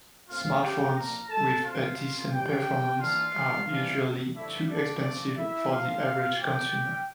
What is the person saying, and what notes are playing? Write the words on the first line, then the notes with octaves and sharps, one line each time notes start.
Smartphones with a decent performance are usually too expensive for the average consumer.
A#2 A3 C4 F4 F5
G4 G5
A#2 F3 A#3 D4 A#4 A#5
A4 A5
D3 A3 C4 F4 F5
E3 G3 C4 G4 G5
E3 A#3 D4 F4 F5
C3 E3 G3 D4 F4 F5
G2 D3 F3 A3 D4 E4 E5
D4 D5
A#2 F3 A3 D4
E4 E5
A2 F3 C4 F4 F5
A#2 F3 C4 G4 G5